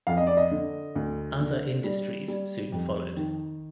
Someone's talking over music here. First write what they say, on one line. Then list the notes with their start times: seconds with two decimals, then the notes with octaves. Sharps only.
Other industries soon followed.
0.07 F2 F5
0.17 D#5
0.27 D5
0.37 D#5
0.51 D3
0.96 D2
1.40 D3
1.84 G3
2.28 G3
2.72 F2
3.17 D#3